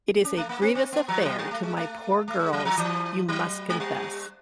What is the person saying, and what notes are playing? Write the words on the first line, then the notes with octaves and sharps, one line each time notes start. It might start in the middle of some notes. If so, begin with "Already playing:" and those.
It is a grievous affair to my poor girls, you must confess.
C#4
A3
A#3
C4
C4
B3
F3
G3
F#3
G3
A3
G#3
A3
A3
G#3
F#3
F3
E3
F#3
G#3
G3